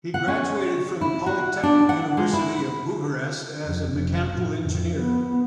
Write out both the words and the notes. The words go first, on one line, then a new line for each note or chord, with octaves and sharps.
He graduated from the Polytechnic University of Bucharest as a mechanical engineer.
F#5
C#4
E4
F#4
D4
F#5
G#3
E4
F2
F1
A2
F2
B3